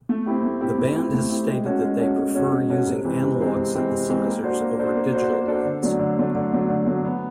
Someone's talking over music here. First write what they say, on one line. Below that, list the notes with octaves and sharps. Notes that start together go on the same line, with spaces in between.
The band has stated that they prefer using analogue synthesizers over digital ones.
A3
C4 E4 G4
A3
C4 E4 G4
A3
C4 E4 G4
A3
C4 E4 G4
G#3
C#4 F#4 A4
G#3
C#4 F#4 A4
G#3
C#4 F#4 A4
G#3
C#4 F#4 A4
C3
E3 G#3 C4
C3
E3 G#3 C4
C3
E3 G#3 C4
C3
E3 G#3 C4
A#3
D4 F#4 A4 C5
A#3
D4 F#4 A4 C5
A#3
D4 F#4 A4 C5
A#3
D4 F#4 A4 C5
D3
F#3 A3 D4
D3
F#3 A3 D4
D3
F#3 A3 D4
D3
F#3 A3 D4
B3